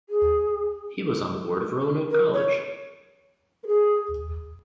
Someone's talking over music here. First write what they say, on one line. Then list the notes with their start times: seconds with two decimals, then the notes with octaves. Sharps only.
He was on the board of Roanoke College.
0.09 G#4
2.10 A#4
2.33 C#5
3.63 A#4
3.67 G#4